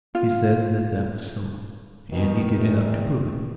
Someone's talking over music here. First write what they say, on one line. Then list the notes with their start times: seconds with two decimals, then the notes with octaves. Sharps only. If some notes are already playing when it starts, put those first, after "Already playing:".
He said that that was so; and he did enough to prove it.
0.15 F4
2.12 B2 D#3
2.57 E2